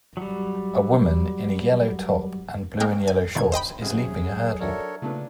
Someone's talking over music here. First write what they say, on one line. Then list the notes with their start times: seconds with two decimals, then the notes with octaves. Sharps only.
A woman in a yellow top and blue and yellow shorts is leaping a hurdle.
0.17 F#3 G3
2.80 G#3 A#3 A#4 G5
3.08 G#5
3.35 G1 G2 B2 D#3 G#6
3.52 C5 D#5 G5 B5
3.81 C2 F#2 G#4
3.95 F#3
4.60 D4 F#4 A4 A#4 C#5 E5
5.02 A#2 C#3 A3 D4 B4